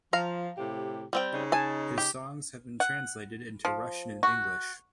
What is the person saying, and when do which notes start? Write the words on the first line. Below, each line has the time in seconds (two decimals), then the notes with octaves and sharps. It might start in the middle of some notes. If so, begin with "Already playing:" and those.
His songs have been translated into Russian and English.
0.13 F3 F5 A#5
0.58 A2 C3 G4
1.13 G3 C4 G5
1.34 C#3 D#4
1.52 G#5 A5
1.98 G4
2.80 F#5
3.65 F3
4.23 F#4